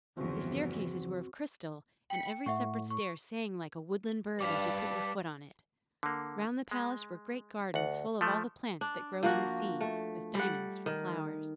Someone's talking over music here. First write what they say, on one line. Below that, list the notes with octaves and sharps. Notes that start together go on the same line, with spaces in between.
The staircases were of crystal, and every separate stair sang like a woodland bird as you put your foot on it. Round the palace were great gardens full of all the plants that grow in the sea, with diamonds for flowers.
G1 E2 C#3 E3 F3 C4 F#4
G5 B5 C#7
A2 E5 F#5 C#6
C#6
G2 G3 B4 F5 A5 D6 B6
D3 A#3
G#3
D2 F#5
F3 A3
D4
F3 A#3 F#4
A3
G3 F#5
D#3